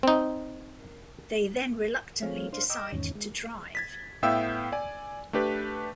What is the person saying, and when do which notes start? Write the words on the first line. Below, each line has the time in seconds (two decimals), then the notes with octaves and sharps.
They then reluctantly decide to drive.
0.03 C4 D#4
2.23 F3 A3 C4 G#4 C#5 F5
2.53 D4 C5 F5 C6
2.70 D#5 G5 A#5 D6 E6
2.92 E2 G#2 D#3 C#4
3.15 G#3
3.75 G#6 A6 B6
4.23 A2 B3 E5 F5 G5 E6
4.72 D5 G#5
5.33 A3 D4 G4 B4